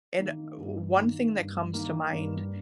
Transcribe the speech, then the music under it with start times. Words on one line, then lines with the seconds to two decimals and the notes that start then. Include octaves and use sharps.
and one thing that comes to mind
0.18 D#3 A#3
0.57 G2
0.96 D#3 A#3
1.35 G2
1.74 D#3 A#3
2.12 G2